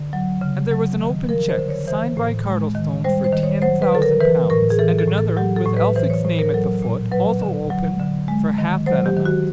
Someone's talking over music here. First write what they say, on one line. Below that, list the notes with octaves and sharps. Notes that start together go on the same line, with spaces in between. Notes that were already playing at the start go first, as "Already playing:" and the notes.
And there was an open cheque, signed by Cardlestone for ten thousand pounds, and another, with Elphick's name at the foot, also open, for half that amount.
Already playing: D3
F#3
C#3
F#3
D#3
F3 A#4
C5
D3
C#5
E3 C5
A2
G#3
D#3
G3 C5
C5
D#3
C#5
F#3 C5
B4
D3 A4
A#4
E3 B4
A2 A#4
G#4
E3 A4
A4
A2
A4
F#3 G4
A4
A2
B4
E3 C5
C#5
A2 C5
A#4
F#3 A4
A#2
F#3 B4
D3
F#3
D3
G#3
D#3
F#3 C5
G4
D#3
F#4